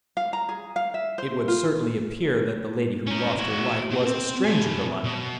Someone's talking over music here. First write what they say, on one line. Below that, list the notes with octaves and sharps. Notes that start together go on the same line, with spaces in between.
"It would certainly appear that the lady who lost her life was a stranger to London."
F5
A#5
G#4
F5
E5
C5
F4
C#4 A#4
E4 F#4
A#2 F#5
C4
B2 G#5
B2